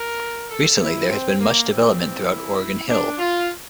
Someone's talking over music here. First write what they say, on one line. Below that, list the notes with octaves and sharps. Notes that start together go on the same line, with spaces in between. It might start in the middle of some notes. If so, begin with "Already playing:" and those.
Recently, there has been much development throughout Oregon Hill.
Already playing: A#4
A4
E4
C4
A#3
C3 E3 G3 C4
E4
D4
F4